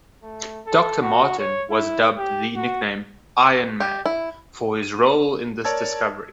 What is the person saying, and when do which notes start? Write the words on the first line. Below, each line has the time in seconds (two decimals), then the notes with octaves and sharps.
Dr.Martin was dubbed the nickname "Iron Man" for his role in this discovery.
0.23 A3
0.66 A4
1.01 F#4
1.39 C#5
1.71 E4
2.18 G4
2.55 F#4
3.80 G4
4.06 E4
4.83 D#7
5.64 A#4 C#5 D5 A5 E6 G#6